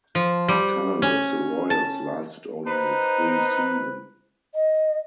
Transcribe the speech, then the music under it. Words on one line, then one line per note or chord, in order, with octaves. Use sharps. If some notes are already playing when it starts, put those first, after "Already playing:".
His time with the Royals lasted only three seasons.
F3
G3
C#4
A5
D#4 B4 C5
D#5